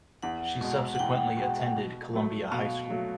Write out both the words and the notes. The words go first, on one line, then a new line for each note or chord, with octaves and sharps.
She subsequently attended Columbia High School.
E2 F#5
B2 G#3
F#5
E2 G5
B2 G#3
B2
F#3 A3
B2 F5
F#3 A3